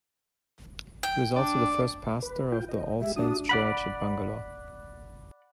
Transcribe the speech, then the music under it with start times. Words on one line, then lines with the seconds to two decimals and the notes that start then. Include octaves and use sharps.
He was also the first pastor of the All Saints Church at Bangalore.
1.03 G5
1.36 D4 D5
2.22 B4
2.52 F4 G5
2.69 D#5
3.01 G#3 G4 E5
3.16 D4 F#4 D#6
3.49 D5 F#5 B5